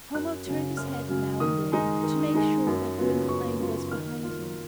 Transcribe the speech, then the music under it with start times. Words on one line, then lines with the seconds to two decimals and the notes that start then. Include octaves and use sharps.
Homo turned his head now and then, to make sure that Gwynplaine was behind him.
0.15 F#2 F#6
0.45 C#3 F#3
0.77 F#2 F6
1.08 C#3 F#3
1.40 D#3 D#6
1.72 G#3 D#4
2.03 D#3
2.35 G#3 D#4
2.66 F#2
2.98 C#3 F#3 B3 F4
3.28 F#2 C#6
3.60 C#3 F#3 B3 F4
3.91 D#3 F6
4.23 A#3 F4